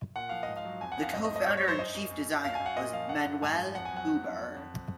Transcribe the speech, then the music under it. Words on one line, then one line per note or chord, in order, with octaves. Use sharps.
The co-founder and chief designer was Manuel Huber.
A#2 F#5
F3 F5
D#5
G#2
F5
F#3
F2 G#5
F#5
F2
F5
G#2 D#5
D#5
F3
D#5
G#2 C#5
C#5
F#3
C5
F#2 D#5
F#2
F#2
F#2
F#2 F5
G#5
F#2
F#5
A#2 D#5
F3 F5
F#2 F#5
F#2
G#2 G#5
F3
F2 F#5
G#5
F#3
F#5
F2
F2
F2
F2